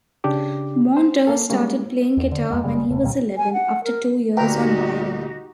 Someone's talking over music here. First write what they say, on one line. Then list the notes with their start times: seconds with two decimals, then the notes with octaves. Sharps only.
Monder started playing guitar when he was eleven, after two years on violin.
0.24 C#3 D4 G4 D6
0.97 C5
1.27 A#3 A4
1.50 G3 G#3 A#3 C#4
2.17 E2
2.32 D3
2.50 F2 G#3 A#3
2.64 F#1 C#3 G3 G#3
2.89 E1 C#3 A3
3.03 C2 A#2 D#3 G3
3.37 G#5
3.53 F#5
3.84 A#4
4.37 D2 A#2 D#4 F#4 G4 B4 G5 A#5